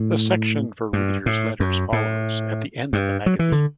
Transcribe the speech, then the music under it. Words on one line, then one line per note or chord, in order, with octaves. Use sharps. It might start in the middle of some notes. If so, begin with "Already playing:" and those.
The section for readers' letters follows, at the end of the magazine.
Already playing: A2
G2
A2
F#2
A2
G2
F#3
E3
D3